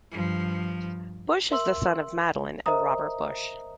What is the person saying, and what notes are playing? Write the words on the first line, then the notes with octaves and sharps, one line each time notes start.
Busch is the son of Madeline and Robert Busch.
G2 F3
A#4 E5 C6 E6 F#7
A#4 C5 D#5 E5 A#5 D#6